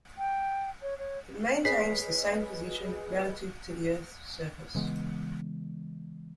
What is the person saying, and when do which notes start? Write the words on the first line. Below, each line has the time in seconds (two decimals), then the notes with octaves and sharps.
It maintains the same position relative to the Earth's surface.
0.18 G5
0.82 C#5
0.99 C#5
1.65 G#4 B4 C#5 D#5 B6 C7
4.75 C#3 E3 G#3 B3